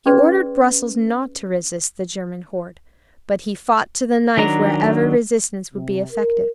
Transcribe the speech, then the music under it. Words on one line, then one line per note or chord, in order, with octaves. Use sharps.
He ordered Brussels not to resist the German horde, but he fought to the knife wherever resistance would be effective.
C#4 G#4 B4 D5 C6
D#3 F#3 D4 A#5
C3
A#4